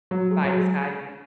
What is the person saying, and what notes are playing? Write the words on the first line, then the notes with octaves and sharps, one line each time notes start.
by this guy named,
F#3
G#3
F#3
G#3